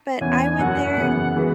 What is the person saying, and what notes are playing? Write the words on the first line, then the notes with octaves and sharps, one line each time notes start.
But I went there,
E2 E3 C#4 G#5
F#2 F#3 C#4 F#4 F#5
F#2 C#3 E3 B3
E3 G#3 B3 F#4 B4